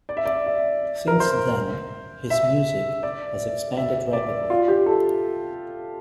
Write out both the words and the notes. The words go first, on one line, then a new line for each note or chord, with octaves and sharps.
Since then his music has expanded rapidly.
D5
E5
D5
E5
A#4
C5
E5
D5
E5
D5
F4
G4
A4